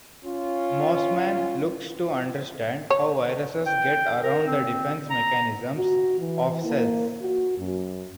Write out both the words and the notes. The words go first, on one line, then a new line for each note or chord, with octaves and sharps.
Mossman looks to understand how viruses get around the defence mechanisms of cells.
C#4 F4
C#5
G5
A#4
C4
A#5
F#4
E3
A#3
F#4
F#2